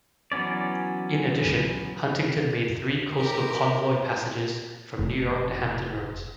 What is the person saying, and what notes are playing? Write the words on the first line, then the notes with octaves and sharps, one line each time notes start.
In addition, "Huntington" made three coastal convoy passages from New York to Hampton Roads.
E3 F#3 B3 C#4 D5
G4 A#4
F1